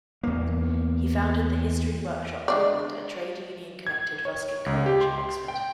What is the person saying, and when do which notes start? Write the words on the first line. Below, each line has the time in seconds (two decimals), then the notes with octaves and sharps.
He founded the History Workshop movement at trade union connected Ruskin College, Oxford.
0.23 E2 A#3
2.48 G#3 D4 D5
3.87 G#6
4.25 C#5
4.66 C#2
4.86 G4
5.01 C6
5.48 G5